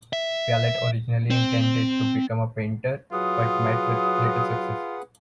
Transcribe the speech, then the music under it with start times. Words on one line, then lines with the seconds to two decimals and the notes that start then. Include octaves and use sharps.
Pialat originally intended to become a painter, but met with little success.
0.13 E5
1.30 C4
3.13 F#3 F4 G#4 B4 F#5 D#6